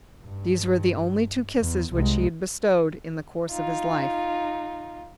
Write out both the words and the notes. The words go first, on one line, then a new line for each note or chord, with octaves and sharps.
These were the only two kisses which he had bestowed in the course of his life.
G2
E2
C2 G#3
D#4 F4